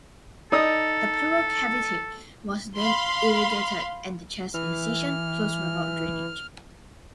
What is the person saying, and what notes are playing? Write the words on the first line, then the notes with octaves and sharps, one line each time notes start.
The pleural cavity was then irrigated and the chest incision closed without drainage.
D#4 A4 D5 D#6
F5 B5 C6
E3 F6